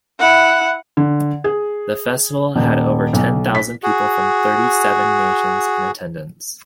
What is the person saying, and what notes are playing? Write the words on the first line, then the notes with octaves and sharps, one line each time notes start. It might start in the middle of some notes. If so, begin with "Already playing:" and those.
The festival had over ten thousand people from thirty-seven nations in attendance.
E4 F#5
D3
G#4
D#1
B1
B6
F#4 G#4